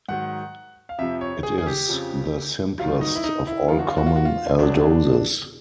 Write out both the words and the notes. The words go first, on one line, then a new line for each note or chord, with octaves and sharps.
It is the simplest of all common aldoses.
G#2 D#3 F#3 F#5
F5
F2 C3 F3 E5
C#5
G#4
G#4
G4
F2 C#3 F3
G2 D#3 F#3 F4
D#4
E4
D#4
E4
F#2 D3 F3 F4
F#4
F4
F#4
F4
F#4
F4
C#2 C#3 F#3 D4